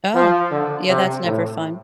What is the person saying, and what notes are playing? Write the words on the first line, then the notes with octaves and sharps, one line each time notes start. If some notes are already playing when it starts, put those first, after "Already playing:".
Oh, yeah, that's never fun.
F3
D3
C3
A2